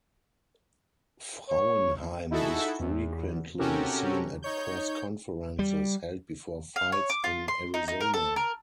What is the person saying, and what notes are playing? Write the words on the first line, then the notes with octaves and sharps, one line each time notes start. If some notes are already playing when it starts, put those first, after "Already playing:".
Frauenheim is frequently seen at press conferences held before fights in Arizona.
C#5
D#4 E4 F#4 G#4 A4 E5
E2
C3 C#4 F#4 G4 A4 A#4
D#4 C#5 G6
G3
F5
C#5
D6
F4
C6
D#4
D#4
A#4
A4
A#4